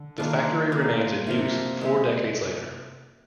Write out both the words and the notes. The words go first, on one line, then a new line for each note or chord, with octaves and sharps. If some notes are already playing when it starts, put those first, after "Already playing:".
The factory remains in use four decades later.
Already playing: D3
D#3 A#3 D4 F4
A#3 F4 A#4
C3 F3 A#3
G#3 C4 G4